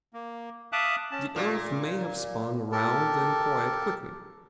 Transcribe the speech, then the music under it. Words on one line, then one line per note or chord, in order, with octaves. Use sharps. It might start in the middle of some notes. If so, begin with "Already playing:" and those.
The earth may have spun round then quite quickly.
A#3
E5 F5 A5 D6 D#6 F#6
C#4 A5
A#2
G4 A4 A#4 A5